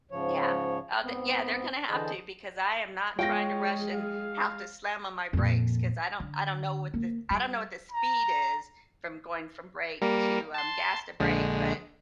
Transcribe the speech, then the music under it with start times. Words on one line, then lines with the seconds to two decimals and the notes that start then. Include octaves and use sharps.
Yeah, uh, the yeah, they're gonna have to because I am not trying to rush and have to slam on my brakes 'cause I don't I don't know what this I don't know what the speed is from going from brake to, um, gas to brake, but
0.11 G#2 C#3 F3 C#5
1.03 G#2 B3 C4
1.89 D3 E3 G#4 C5 D#5 A5
3.19 G#3 F4 G#4 C#5 G5 A#6
3.93 F5
5.33 F2 A#2
6.20 D3
6.94 A#3
7.30 G3
7.92 A#5
10.02 G3 A#3 A#4
10.54 A5 C6
11.20 A#1 D3 G#3